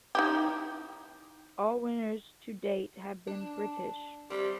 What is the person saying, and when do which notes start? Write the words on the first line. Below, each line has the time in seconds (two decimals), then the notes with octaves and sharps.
All winners to date have been British.
0.15 D#4 E4 G4
3.27 D4
4.30 G3 C4